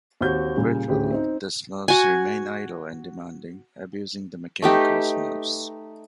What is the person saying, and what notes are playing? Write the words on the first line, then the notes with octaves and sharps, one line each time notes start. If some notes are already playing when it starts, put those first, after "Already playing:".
Gradually, the Smurfs remain idle and demanding, abusing the mechanical Smurfs.
D#2 C4 F#4 G6
A#2 C#3 G3
A1 D2 G4 G#4
C4 D#4
F#4 G#5
A3 D#4 G4 B4